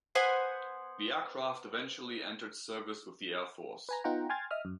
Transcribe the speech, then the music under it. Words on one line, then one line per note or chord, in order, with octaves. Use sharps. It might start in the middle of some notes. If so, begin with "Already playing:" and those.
The aircraft eventually entered service with the Air Force.
B3 C5 F#5 G#5
B4 G#5 A#5
B3 D#4 F4 F#5 G5 A#5
G5 G#5 C6 F6 G#6 A6
D#5 E5 D#6 F6
F#2